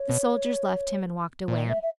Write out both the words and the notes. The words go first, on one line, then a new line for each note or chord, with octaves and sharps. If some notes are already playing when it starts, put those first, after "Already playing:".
The soldiers left him and walked away.
Already playing: C#5
B2
A#2 D5
E5
E5